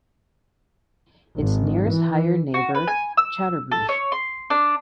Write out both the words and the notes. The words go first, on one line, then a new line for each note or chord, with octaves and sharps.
Its nearest higher neighbor Chaturbhuj.
G#1
E3
F#4
B4
G#5
E6
A4
C#5
C6
D4